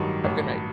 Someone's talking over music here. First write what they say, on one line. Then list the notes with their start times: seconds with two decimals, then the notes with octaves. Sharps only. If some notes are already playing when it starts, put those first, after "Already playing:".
Have a good night.
Already playing: A1 G2 D#3 F#3
0.24 A1